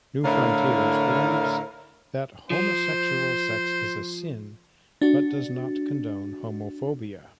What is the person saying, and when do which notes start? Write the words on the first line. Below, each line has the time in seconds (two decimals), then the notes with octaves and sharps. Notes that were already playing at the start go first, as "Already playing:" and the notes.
Newfrontiers believes that homosexual sex is a sin, but does not condone homophobia.
0.24 A2 D3 E4 A#4 C#5 F5
2.50 F3 C5
5.01 D4 F#4